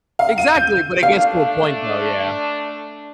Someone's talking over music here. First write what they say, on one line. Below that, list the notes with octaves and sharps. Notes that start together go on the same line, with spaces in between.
Exactly, but it gets to a point though, yeah.
F5
D#7
G6
A3 D4 F5